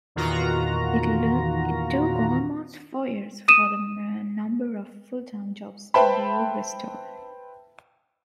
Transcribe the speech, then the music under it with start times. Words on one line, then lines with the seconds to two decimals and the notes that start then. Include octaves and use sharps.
It took almost four years for the number of full-time jobs to be restored.
0.16 E2 A#2 D#3 F4 F#4 A#5
3.48 D#6 D#7 E7
5.94 B4 C5 E5 G5 A5 B5